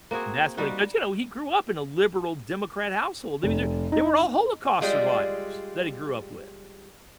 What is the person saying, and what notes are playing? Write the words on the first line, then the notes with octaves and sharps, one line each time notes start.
That's what it because, you know, he grew up in a liberal democrat household, they were they were all holocaust survivors, that he grew up with.
A#3 C4 F#4 G#4
G3 D#4 F#4 F5
F1
D#4
G3 G#3 F4